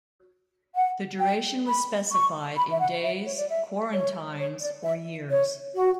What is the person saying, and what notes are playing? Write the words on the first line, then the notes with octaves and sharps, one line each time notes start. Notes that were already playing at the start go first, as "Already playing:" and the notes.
The duration was specified in days, quarantines, or years.
F#5
G5
B5
C#6
B5
E5
F#5
E5
C#5
D5
E5
C#5
C#5
D5
E5
C#5
F#4